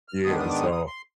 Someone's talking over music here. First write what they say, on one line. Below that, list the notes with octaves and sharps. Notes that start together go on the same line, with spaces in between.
Yeah, so
F6
G#2 D#3 B3 D4 D#6
D#6
D6
D#6
D#6
C6